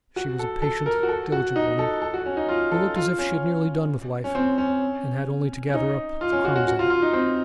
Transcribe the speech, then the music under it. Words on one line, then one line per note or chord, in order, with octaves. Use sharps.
She was a patient diligent woman, who looked as if she had nearly done with life, and had only to gather up the crumbs of it.
F#4
A4
A4
A#4
F#4
A4
F#4
D#4
A4
A4
F#4
C#4
D#4
F4
A4
F4
C#4
C#4
C4
C#4
C#4
D#4
F4
C#4
F#4
F#4
F#4
F4
F4
D#4
C4